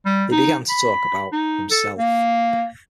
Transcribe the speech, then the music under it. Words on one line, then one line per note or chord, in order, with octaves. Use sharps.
He began to talk about himself.
G3
D#4
B5
D#4
A4
A#3